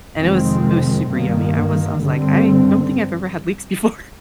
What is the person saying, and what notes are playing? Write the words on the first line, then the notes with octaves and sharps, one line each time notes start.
and it was it was super yummy, I was I was like, "I don't think I've ever had leeks before,
F2 C3 D#3 G#3 C4
G2 D#3 A#3
G2 D3 G3 C4